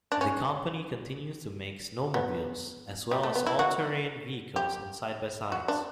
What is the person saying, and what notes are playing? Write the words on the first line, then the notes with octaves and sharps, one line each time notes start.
The company continues to make snowmobiles as well as all-terrain vehicles and side-by-sides.
D4
C#4
B3
G3
A3
B3
E4
F#4
G4
F#4
D4